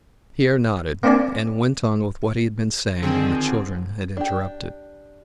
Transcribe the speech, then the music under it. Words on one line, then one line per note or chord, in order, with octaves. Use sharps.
Pierre nodded, and went on with what he had been saying when the children had interrupted.
A#3 C4 D4 E4 D5 G#5
D3 D#3 F3 C4 G#4
D4 G4